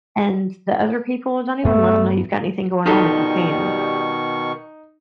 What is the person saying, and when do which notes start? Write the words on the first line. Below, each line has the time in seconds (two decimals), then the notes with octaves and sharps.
And the other people, don't even let 'em know you've got anything going on if you can.
1.65 G2 A3 B3
2.86 B2 D#3 G3 D#4 F4 G4 A4 C#6